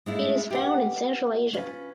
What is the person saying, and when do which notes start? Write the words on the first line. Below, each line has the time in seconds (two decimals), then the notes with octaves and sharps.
It is found in Central Asia.
0.06 G#3 A3 E4 F4
0.50 G4 B4 F#5
1.53 C#4 F4 B4